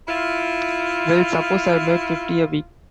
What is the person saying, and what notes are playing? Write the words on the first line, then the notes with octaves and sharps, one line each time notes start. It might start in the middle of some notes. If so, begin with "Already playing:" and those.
Well, suppose I made fifty a week.
E4 F4